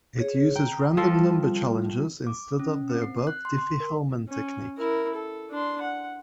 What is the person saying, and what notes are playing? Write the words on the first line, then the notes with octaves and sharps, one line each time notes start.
It uses random number challenges instead of the above Diffie-Hellman technique.
G#4 C#5
G5 A#5
F3 G3 F4 A4
D6
C#4
C4
C7
F#6
C6
C6
A#4
C#4
E4 A#4
A4
D4 C6
F#5